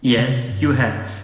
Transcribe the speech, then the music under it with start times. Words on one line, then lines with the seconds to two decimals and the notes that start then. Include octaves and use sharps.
Yes, you have.
0.18 C3
0.34 B2
0.52 G2